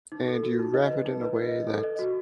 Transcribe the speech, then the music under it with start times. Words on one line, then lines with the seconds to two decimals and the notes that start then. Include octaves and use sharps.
and you wrap it in a way that's
0.12 D#4
0.28 A4
0.43 F#4
0.59 D#4
0.74 D#5
0.90 B4
1.05 D#4
1.21 B4
1.36 D#5
1.52 D#5
1.67 A4
1.83 D#5
1.99 F#4